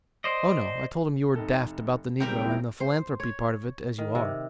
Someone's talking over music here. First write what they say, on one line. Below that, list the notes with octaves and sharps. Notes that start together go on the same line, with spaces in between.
"Oh, no. I told him you were daft about the negro and the philanthropy part of it, as you are."
C5 D5 D#5
F1 D#4 A4
G#1 C3 G3 C4 A#4 G5
E1 E4
C5
C#5
D#3
C3